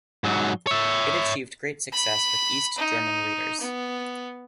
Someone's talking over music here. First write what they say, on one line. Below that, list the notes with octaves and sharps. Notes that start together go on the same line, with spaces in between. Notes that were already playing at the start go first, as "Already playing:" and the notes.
It achieved great success with East German readers.
G#2 F#3
C#5 E5
B5
D#4
B3